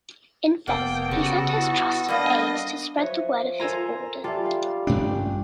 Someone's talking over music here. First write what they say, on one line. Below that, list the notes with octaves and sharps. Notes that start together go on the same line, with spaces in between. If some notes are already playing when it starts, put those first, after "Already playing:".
In Fez, he sent his trusted aides to spread the word of his order.
F1 A#3 B3 A4 G5
C#3 G3 F#4
E4
G3 A#3 D4 D#5 F5
F3 B4 C#5 E5
F4 A4 A#4 C5 G#5 A#5
G3 F4 A4 E5
F5
A1 G2 D4 G5